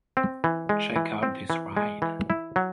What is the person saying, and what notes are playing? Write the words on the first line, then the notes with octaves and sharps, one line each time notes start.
Check Out This Ride!
C4
E3
G#3
E3
C4
E3
G#3
E3
E4
F#3